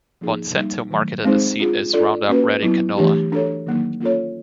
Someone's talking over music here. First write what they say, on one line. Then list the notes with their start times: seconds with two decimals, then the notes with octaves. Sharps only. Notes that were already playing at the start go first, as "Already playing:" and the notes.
Monsanto marketed the seed as Roundup Ready Canola.
0.21 F3 A#3 D#4 G#4
0.56 G3 A#3 D#4
0.91 D#3 F#3 A3
1.25 G#3 C4 D#4 G#4 C5
1.59 D4 F4 G#4
1.93 D4 F4 A4 D5
2.28 A#3 C#4 F#4 B4
2.63 F#3 B3 E4
2.97 E3 A3 D4 G4
3.32 D4 F#4 A4 C#5
3.66 D#3 F#3 A#3 D#4
4.01 A#3 C#4 F4 A4 C#5